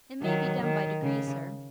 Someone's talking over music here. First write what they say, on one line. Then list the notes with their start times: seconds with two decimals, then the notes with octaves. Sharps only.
'It may be done by degrees, Sir.
0.22 D#3 F#3
0.62 D#3
1.02 C#3